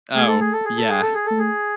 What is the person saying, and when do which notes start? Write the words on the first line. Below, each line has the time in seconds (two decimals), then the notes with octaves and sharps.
Oh, yeah.
0.15 A3 G#4
0.27 A4
0.41 G#4
0.52 A4
0.65 G#4
0.77 A4
0.89 G#4
1.01 A4
1.14 G#4
1.26 A3 A4
1.39 G#4